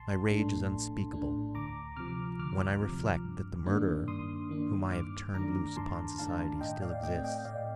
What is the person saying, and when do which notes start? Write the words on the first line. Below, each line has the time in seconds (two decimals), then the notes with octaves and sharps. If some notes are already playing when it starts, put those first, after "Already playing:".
My rage is unspeakable when I reflect that the murderer, whom I have turned loose upon society, still exists.
Already playing: A#1 A5 C6
0.29 A2 A3 D4
0.70 A#1
1.13 A2 A3 D4
1.55 D2 A#5 D6
1.96 C3 F3 D6 F6
2.39 D2 D6 F6
2.81 C3 F3
3.24 G2
3.66 D#3 A#3 D4
4.08 G2 C6 D#6
4.49 D#3 A#3 D4
4.92 G2 D6 F6
5.34 D#3 A3 D4 A#5 D6
5.76 G2 A5 C6
6.18 D#3 A3 D4 F5 A5
6.61 A2 D#5 G5
6.82 D5 F5
7.03 A3 C4 D#5 G5
7.24 D#5 G5
7.45 A2 D5 F5